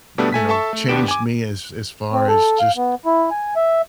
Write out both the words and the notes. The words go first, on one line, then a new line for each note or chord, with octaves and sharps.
you know, changed me as as far as just
B2 G3 A3 B3 D4
A3 G#5 B6
A4 E5 A5 C#6
A3
D#2 B3 D4 G4 D7 E7
G#5 D6
C4
A4
F5
B3
E4
G#5
E5